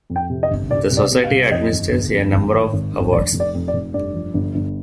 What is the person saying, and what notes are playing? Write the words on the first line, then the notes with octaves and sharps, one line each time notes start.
The society administers a number of awards.
F2
G5
C3
D#5
G1
C2 D5
C2
D5
C3
F5
C2
F2 D#5
G1
G1
F2
G#1
D#3
G#1
G2
F1 D5
F1
D5
F2
D5
F1
G2 D5
F3
G1
G1